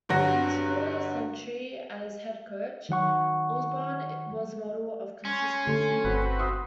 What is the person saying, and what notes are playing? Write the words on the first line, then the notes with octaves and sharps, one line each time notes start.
In his quarter-century as head coach, Osborne was a model of consistency.
G2 D3 F#3 F#4 A#6
D#3 F#3 F#5 C#6
C#4 G#5 C6
D3 A3
G1 C4 F#4 B4
C6 D#6 E6